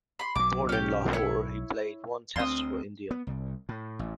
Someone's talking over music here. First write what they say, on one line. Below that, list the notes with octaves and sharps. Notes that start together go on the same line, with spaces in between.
Born in Lahore, he played one Test for India.
B5 C6
B1 F#3 D6
C#4 G4
E4 C#5
D2 C4 C6 D#6
B3
C2
A2
A1